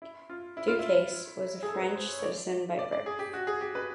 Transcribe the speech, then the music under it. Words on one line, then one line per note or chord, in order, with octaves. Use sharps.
Ducasse was a French citizen by birth.
E4
F4
E4
F4
E4
G#4
A4
C5
B4
C5
C#5
C#5
D5
D5
D5
G#4
G4
F#4
G#4
G4
B4